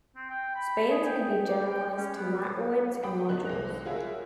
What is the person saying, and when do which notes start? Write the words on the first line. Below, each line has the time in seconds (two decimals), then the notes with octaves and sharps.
Spans can be generalized to matroids and modules.
0.16 C4
0.30 G5
0.55 B5
0.90 G#4
1.07 G5
1.48 G4
1.71 G5
1.97 C#4
2.16 B3
3.03 F#5 G5 B5 D6 D#6
3.29 E2 D4 D#4 F#6
3.45 C2 A#6 F7
3.85 F4 F#4 G#4 A#4 C#5 E5